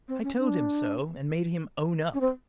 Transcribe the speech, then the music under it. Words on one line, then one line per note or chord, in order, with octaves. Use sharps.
I told him so, and made him own up.
C4
C#4
D4
C#4
C4